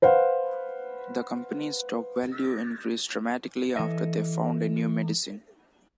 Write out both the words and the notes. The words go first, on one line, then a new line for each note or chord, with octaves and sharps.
The company's stock value increased dramatically after they found a new medicine.
B4 C5 F5 F#5
E3 A4 D#5 E5